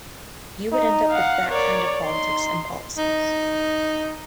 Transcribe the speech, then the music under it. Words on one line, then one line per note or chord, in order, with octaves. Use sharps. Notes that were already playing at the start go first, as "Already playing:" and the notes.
You would end up with that kind of politics and policies.
D#4
F5 F#5
A#4 C#5 D5
D#4 C6
D#4